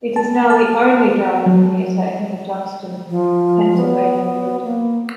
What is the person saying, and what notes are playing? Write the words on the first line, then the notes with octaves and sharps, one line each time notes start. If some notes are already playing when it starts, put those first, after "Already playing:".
It is now the only drive-in theater in the Johnstown, Pennsylvania region.
A5
A5
F#3
F3
B3
A#3